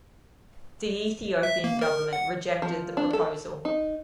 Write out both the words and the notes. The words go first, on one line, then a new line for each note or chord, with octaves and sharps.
The Ethiopian government rejected the proposal.
E5
A#3
A#4
F#5
F3
D4
A4
D#4